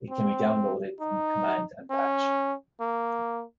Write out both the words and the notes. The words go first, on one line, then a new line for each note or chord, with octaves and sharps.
It can be downloaded from Command and Patch.
C4
D#4
C#4
A#3